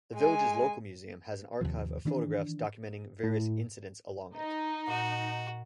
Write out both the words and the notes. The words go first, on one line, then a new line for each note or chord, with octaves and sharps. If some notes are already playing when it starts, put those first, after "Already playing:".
The village's local museum has an archive of photographs documenting various incidents along it.
G#3 G#5
D#2 C3 F3
D#3 E3 B3 D4
A2
D#4
A#2 F#4